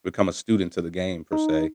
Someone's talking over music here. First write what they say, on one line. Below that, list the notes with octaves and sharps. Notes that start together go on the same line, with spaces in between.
become a student to the game per se
D#4